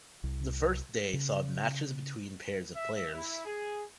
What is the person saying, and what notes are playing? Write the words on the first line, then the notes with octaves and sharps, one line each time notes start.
The first day saw matches between pairs of players.
C2
C#3
E5
E4
G#4